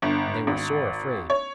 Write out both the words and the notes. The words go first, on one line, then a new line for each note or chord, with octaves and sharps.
And they were sore afraid.
G1
G#1
C#5